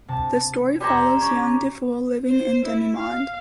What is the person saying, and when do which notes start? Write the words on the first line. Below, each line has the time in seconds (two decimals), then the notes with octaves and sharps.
The story follows young DiFool living in demimonde.
0.08 C3 A5
0.80 G3 C5 A#5 G#6 B6 C#7
1.21 C#4 C#5 D6 B6
2.29 C5
2.65 E4
2.96 F5